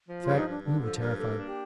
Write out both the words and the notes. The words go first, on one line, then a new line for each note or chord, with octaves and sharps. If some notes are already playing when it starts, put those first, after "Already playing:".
In fact, we were terrified.
F3
F4
G2
D#4
G2 D4
D3 D4
F3 A4
G2 A#4
A#3 A4
D4
G4